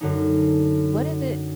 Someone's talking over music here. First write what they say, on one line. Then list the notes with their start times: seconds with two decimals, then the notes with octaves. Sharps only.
What is it
0.01 F#2 D3 D#4